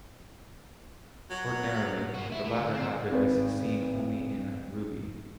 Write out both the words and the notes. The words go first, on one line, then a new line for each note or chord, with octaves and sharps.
Ordinarily, the latter habit is seen only in ruby.
F#3
A#3 F#4
E4
A3
D2
C4
G#1 B4